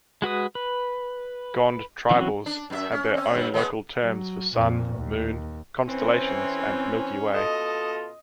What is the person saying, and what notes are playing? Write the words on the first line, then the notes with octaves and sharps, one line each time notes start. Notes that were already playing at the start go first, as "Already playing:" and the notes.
Gond tribals had their own local terms for Sun, Moon, Constellations and Milky way.
G#3 F#4 B4 D#6
B4
E3 F#3 C4 C#4 F#4
D4
F#2 D4 E5
C#4
C4 C#4
G2 G3
G#3 A3 B3
F#3
F2 A#2
D#2
E3 C4 C#4
B2 F4 A4 D#5